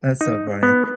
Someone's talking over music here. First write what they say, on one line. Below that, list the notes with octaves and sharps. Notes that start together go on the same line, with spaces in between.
that's so funny.
D#4
B3